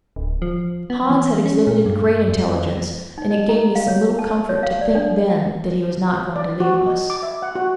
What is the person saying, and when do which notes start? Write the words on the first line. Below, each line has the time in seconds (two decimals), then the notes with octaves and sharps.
Hans had exhibited great intelligence, and it gave me some little comfort to think then that he was not going to leave us.
0.16 D1
0.42 F3
0.90 B3
1.10 E3
1.46 C#4
1.67 A#2
1.86 G2
2.29 F2
3.18 D#4
3.31 D#5
3.49 A#5
3.75 F5
3.88 C#5
4.19 A5
4.49 C#5
4.63 F5
4.81 D5
4.95 D4
6.36 D5
6.60 F#4
6.74 F#4
6.87 D#5
7.10 D6
7.23 E5
7.42 F#5
7.55 F#4